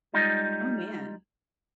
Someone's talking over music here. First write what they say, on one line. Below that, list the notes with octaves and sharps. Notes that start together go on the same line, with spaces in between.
Oh man,
G3 G#3 D#4 F4 D#5